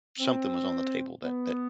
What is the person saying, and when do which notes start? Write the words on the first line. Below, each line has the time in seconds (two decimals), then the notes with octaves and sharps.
something was on the table that that
0.19 C4
1.22 B3